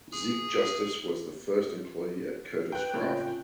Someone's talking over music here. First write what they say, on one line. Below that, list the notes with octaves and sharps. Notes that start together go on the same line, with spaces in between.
Zeke Justice was the first employee at Kurtis-Kraft.
G#4
B4 G5 F#6
A2 C#3 A#3 C4 C#4 F4